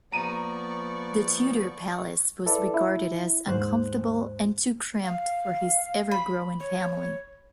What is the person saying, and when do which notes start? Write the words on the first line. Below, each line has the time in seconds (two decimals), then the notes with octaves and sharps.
The Tudor palace was regarded as uncomfortable and too cramped for his ever-growing family.
0.12 F3 A#3 B3 D5 A#5 C#6 D#7
2.46 E4 A4 B4 D5
2.74 E4
3.47 D#2 G#2 C5 F#6
5.03 F5
6.11 B5
6.60 C#5